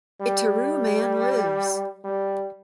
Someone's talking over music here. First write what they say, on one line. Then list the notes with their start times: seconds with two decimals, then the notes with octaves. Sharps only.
Gitaroo Man Lives!
0.21 G3
2.04 G3